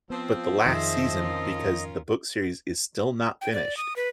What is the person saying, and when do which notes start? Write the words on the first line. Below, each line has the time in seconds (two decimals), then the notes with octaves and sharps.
but the last season, because the book series is still not finished,
0.10 F3 B3 C4
0.66 F2 D#3 G#4 C5 D#5 E5
1.19 C#4 F4 A#4
3.41 G5
3.53 D5
3.77 D#6
3.96 B4